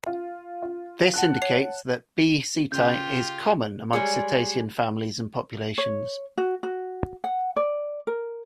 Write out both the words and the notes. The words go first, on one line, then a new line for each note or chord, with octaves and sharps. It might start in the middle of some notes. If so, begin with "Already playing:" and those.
This indicates that "B. ceti" is common amongst cetacean families and populations.
F4
F4
F#5 A5 F#6
C#5 C7 F7
C#3 F4 G4 G6
G3 G#3 G#4 C#5
C#5
F#4
F#4
F#5
D5
A#4